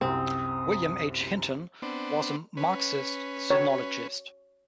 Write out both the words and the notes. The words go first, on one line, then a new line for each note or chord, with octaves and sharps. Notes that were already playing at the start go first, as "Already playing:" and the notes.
William H. Hinton was a Marxist sinologist.
C2 F#2 C4 D#6
B3 C4 D4
C#4 B4
C#5